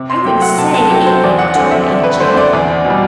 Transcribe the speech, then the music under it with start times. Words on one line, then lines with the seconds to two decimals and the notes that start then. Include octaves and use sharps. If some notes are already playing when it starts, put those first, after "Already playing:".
"I wouldn't SAY anything," retorted Aunt Janet.
Already playing: C3
0.10 C6
0.25 F#3 A3 G5
0.42 F#5
0.58 C3 A5
0.74 A5
0.91 F#3 A3 G5
1.06 C5
1.23 E2 D5
1.39 F#5
1.55 D3 A3 C4 F#5
1.71 E5
1.88 E2 D5
2.04 B4
2.20 D3 A3 C4 C5
2.37 D5
2.53 E2 D5
2.85 B2
2.90 G3